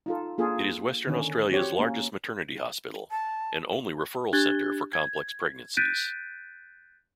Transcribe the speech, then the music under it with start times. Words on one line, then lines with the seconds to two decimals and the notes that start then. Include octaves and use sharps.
It is Western Australia's largest maternity hospital and only referral centre for complex pregnancies.
0.06 D#4 F4 A4
0.38 A#3 D4 F4 G#4 A4
1.07 D3 D#3 C#4
1.52 C4 F#4 G4 C#5
1.79 A#3 C#4
3.11 A5
4.33 D4 G4 F#6 G#6 A6 G7
4.93 G#6
5.77 F#6 G6 A6 B6 D7 D#7